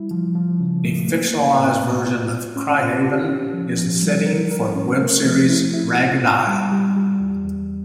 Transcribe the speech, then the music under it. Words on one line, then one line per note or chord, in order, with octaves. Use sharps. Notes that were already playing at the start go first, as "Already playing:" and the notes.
A fictionalized version of Criehaven is the setting for the web series Ragged Isle.
Already playing: G3 E4
F3
F3
C#3
A3
A#3
A#3
A2
A2
F4
A2
C#4
F4
G4
C#4
F3
F3
G3
A#4
A#4
C#4
A3
F3
E4
E4
F4
A2
G3
G3
G3
E2
E2